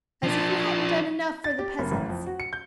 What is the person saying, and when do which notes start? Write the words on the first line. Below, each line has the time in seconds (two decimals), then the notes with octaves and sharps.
As if you hadn't done enough for the peasants!
0.23 F3 D4
1.44 A6
1.59 G4
1.79 F#1
1.91 A1
2.09 F2
2.26 F#4
2.40 C#7
2.53 G6